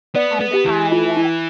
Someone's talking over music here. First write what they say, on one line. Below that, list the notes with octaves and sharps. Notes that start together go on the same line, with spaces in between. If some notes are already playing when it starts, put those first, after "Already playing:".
and I
B3 D5
B3
G4
E3
F4
E4